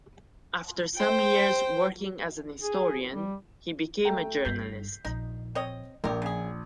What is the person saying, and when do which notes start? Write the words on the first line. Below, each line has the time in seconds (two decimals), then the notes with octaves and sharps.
After some years working as a historian he became a journalist.
0.96 C5 G5
2.62 G#4
3.12 G3
4.05 A3 G5 A#5
4.45 G1 G2 G6 B6 C7
5.05 A#1 D#4
5.55 C4 C#5 D#5
6.04 A#1 F3 G4 A#4
6.22 C#3 G#4